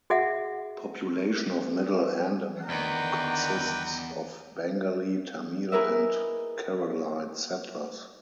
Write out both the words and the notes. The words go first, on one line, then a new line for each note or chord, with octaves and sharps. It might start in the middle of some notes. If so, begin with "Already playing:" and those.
Population of Middle Andaman consists of Bengali, Tamil and Keralite settlers.
F#4 G#4 D#5 E5 F#5
E2 D3 D#3 B4 D5 G5 A#5
E4 G#4 A#4 B4 D#5 E5